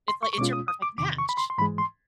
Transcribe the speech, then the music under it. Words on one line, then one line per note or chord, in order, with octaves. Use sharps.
It's like it's your perfect match!
C6
C#6
C#6
B2 G#3 C#4 F4 D6
D#6
D#6
D6
E2 C3 D#3 D6
C#6
B5
C6
C6
G#2 E3 G#3 B5
C6